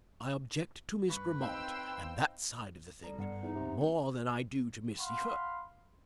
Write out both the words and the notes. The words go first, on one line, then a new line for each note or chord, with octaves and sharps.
"I object to Miss Grammont and that side of the thing, more than I do to Miss Seyffert."
G2 B4 C#6 B6
C4 D#4 F5 G5 C6 E6
G3 A4 D5 A#5
G2 B3 F#5 C#7
E2 D#4
C3
D#1 D#4
F5 F#5 B5 C6